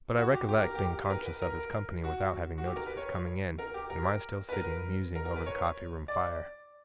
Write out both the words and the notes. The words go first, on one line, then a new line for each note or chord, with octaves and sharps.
But I recollect being conscious of his company without having noticed his coming in--and my still sitting, musing, over the coffee-room fire.
F#4
G4
G4
A#4
G4
B4
A#4
B4
A#4
F#4
F#4
G4
A#4
B4
C#5
A#4
G4
A#4
B4
A#4
A#4
A#4
B4
C#5
D5